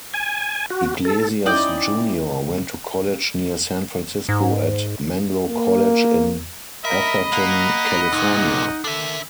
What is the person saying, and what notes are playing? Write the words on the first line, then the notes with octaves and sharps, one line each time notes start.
Iglesias Junior went to college near San Francisco at Menlo College in Atherton, California.
G#5
F#4
A4
C#4 D#4 E4 D5 D#5 G5
G#2
A#3
A#4 D#5 E5 B5
A#3 F#5
C2 A#2 D#4
D3 D#3 D4 A4 E5